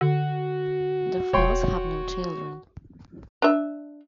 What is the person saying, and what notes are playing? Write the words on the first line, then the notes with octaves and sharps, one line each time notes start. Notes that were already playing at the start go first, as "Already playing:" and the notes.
The Fells have no children.
D3 F#4
E1 C#5 G5 C6
D4 E5